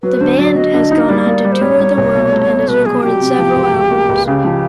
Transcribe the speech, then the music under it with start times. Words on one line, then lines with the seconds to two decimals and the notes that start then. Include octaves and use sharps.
The band has gone on to tour the world and has recorded several albums.
0.03 F#3 B4
0.21 D3 C5
0.38 F#3 D5
0.56 F#3 D#5
0.74 D3
0.91 D#4
1.09 G3 D5
1.26 A#3
1.45 G3
1.52 C5
1.61 G3 C#5
1.80 G3
1.98 C2
2.15 B2
2.32 A3
2.51 B2
2.67 B2 B4
2.86 F#3 G#4
3.03 F#3 G4
3.21 C3
3.39 F3
3.56 C#2
3.74 C#2
3.91 A#3
4.09 C#2
4.27 C#3 G4
4.45 F3